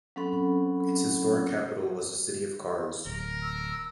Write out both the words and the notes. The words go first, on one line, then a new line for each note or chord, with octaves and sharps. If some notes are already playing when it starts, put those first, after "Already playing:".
Its historic capital was the city of Kars.
F#3 C4 C#4 A4 F#5 B5
D1 A#4
E6